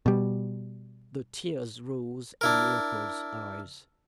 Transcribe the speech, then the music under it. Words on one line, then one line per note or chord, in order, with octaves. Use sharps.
The tears rose in Leopold's eyes.
B2 G3
D4 E4 A#4